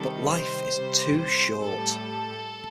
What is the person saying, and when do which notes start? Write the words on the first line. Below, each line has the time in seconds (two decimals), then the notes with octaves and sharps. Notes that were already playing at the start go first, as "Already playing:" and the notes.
But life is too short.
Already playing: C3 D#3 G3 A4
0.28 C5
0.72 C3 G3
1.17 C5
1.62 A2 G3 A4